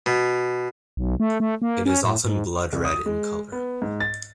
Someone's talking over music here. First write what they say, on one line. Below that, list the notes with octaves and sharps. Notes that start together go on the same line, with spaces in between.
It is often blood-red in colour.
B2
B1
A3
A3
A#3
C#4
A2
G#2
C2
D#6
G#3
B3
G#2
A6